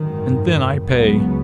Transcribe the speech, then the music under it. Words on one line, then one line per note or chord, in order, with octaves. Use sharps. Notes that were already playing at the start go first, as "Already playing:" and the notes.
And then I pay.
Already playing: G#1 F#2 D#3
C#2 C#3 F#3 B3